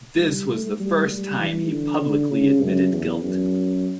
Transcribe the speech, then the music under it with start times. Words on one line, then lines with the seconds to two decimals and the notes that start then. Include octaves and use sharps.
This was the first time he publicly admitted guilt.
0.19 G3
0.49 A3
0.80 G3
1.10 G3
1.40 E3
1.71 D3
2.01 D3
2.31 C#3
2.63 F#2
2.93 E2
3.23 F#2